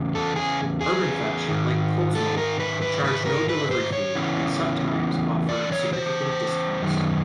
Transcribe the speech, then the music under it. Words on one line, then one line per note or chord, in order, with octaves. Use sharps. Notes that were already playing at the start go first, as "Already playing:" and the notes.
Urbanfetch, like Kozmo, charged no delivery fee and sometimes offered significant discounts.
Already playing: E2 C#3
A4
G#4
G#4
G#2 D#3
A4
A#4
B4
B4
B4
A#4
B4
C5
C#5
E2 C#3 E3
D5
C#5
C5
F#2 D#3